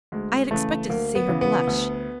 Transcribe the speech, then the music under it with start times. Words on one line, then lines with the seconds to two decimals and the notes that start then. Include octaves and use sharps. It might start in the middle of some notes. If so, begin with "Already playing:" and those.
I had expected to see her blush.
0.12 D2 G#3
0.51 C#3 E3 A3
0.90 D2 A#3
1.15 B3
1.28 C#3 E3
1.41 B3
1.67 D2